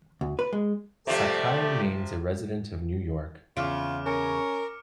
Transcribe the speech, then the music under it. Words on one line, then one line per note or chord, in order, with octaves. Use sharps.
Sakhai remains a resident of New York.
D2
B4
G#3
C3 F3 A3 G4 A4 D5
E2 C#3 F4 D6 F6 D7
C#4 A#4 F6 C#7 D7